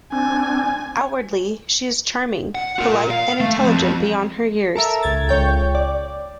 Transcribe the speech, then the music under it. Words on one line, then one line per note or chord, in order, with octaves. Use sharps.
Outwardly, she is charming, polite and intelligent beyond her years.
C4 D4 G#5
F#5
F4 A#4
F5
A3
F3 C4
A4 A#4 E5
C#2 G#6 A6
C#2 C#5 G5
D5